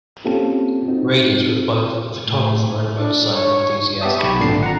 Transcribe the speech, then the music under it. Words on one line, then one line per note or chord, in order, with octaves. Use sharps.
Radius was both a photographer and a motorcycle enthusiast.
A#3 C4 C#4 F4 G4 A4
C4 D#4 F#4
A2
D4
C#5
B3 G4 E5 A5 D#6
B1 G4 B5 C#6
G#1 A#2 D3 A5 C7
F#5 A#5